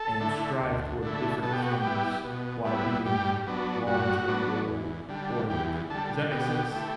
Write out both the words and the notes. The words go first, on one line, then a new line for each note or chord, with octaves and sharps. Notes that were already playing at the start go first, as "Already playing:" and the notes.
and strive toward different things while being long-term goal oriented. Does that make sense?
Already playing: A4
D3 A3 E4
D2
D3 A3 E4
B2 A4
G4
F#4
G4
G3 B3 E4
B2
G3 B3 E4
G2 G4
F#3 B3 D4
G2 F#4
F#3 B3 D4
E2
D3 G3
E2 G4
D3 G3 A4
B2 G4
A3 E4